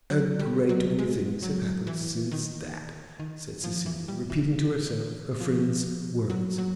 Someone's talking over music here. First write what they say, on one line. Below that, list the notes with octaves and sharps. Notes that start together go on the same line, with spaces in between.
"A great many things have happened since that," said Cecilia, repeating to herself her friend's words.
F#3
G3
F#3
G#3
F#3
E3
D#3
D#3
F3
E3
G3
E3
F3
F#3
F#3